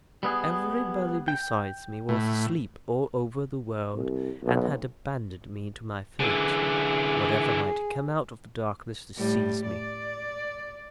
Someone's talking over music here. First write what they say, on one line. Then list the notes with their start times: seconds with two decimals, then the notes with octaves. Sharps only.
Everybody besides me was asleep all over the world, and had abandoned me to my fate, whatever might come out of the darkness to seize me.
0.23 G3 B3 G#4
1.28 G5
2.09 A2
3.94 C2
4.43 B1
6.20 D3 E3 G#4
9.17 A2 G3
9.66 D5